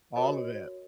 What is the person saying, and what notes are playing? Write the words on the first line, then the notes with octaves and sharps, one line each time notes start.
All of it.
F#4 A#4 C#5 D#5